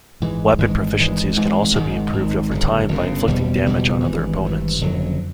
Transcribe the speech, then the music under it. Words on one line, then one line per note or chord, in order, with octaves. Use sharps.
Weapon proficiencies can also be improved over time by inflicting damage on other opponents.
G#1 G#2 E3 G#3
G#1 G#2 E3 G#3
G#1 G#2 E3 G#3
G#1 G#2 E3 G#3
G#1 G#2 D#3 G#3
G#1 G#2 D#3 G#3
G1 F#2 C#3
G1 F#2 C#3
F#1 E2 B2 G3
F#1 E2 B2 G3
G#1 G2 E3
G#1 G2 E3
F#1 F2 D3 F#3